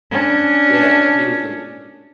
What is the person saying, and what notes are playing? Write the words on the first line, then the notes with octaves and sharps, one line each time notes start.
Yeah, he was the m
C#4 D4